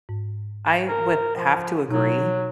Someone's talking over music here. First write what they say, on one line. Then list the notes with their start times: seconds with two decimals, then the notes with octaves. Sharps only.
I would have to agree
0.09 G#2
0.88 A#4
1.36 F3
1.89 B2 F#3 D#4